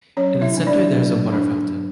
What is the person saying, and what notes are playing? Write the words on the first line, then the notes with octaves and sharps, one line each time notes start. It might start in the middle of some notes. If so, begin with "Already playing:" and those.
In the center there is a water fountain.
F#3 C#4 C#5
E4 E5
B3 D4
D4 D5
F#3
B3 D4
F#3